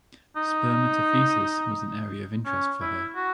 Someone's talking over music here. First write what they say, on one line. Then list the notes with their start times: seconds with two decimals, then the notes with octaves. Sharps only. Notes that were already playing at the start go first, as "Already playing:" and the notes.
Spermatophytes was an area of interest for her.
0.36 D#4
2.46 C#4
2.81 E4
3.16 F#4